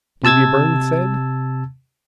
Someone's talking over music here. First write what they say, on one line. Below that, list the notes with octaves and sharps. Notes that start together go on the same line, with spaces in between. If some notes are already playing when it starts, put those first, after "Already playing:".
Davy Byrne said.
C3 A5 E6 G#6 A6